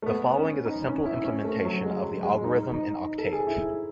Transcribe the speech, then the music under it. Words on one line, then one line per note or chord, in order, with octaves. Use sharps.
The following is a simple implementation of the algorithm in Octave.
A3
B3
C#4
D#4
C#4
E4
C#4
A3
F#3
G#3
F#3
G#3
D#4
D#4
D#4
A4
G#4
E4